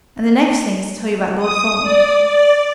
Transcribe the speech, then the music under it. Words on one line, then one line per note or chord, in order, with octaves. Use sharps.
"And the next thing is to tell you about Lord Fawn."
D#6
D5
D5